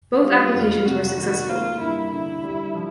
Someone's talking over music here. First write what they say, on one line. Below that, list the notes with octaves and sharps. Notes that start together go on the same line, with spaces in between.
Both applications were successful.
G3 F4
F2
C3 F#4
D#3 F#4
A#3 F4
G2 E4
D3 E4
G3
F3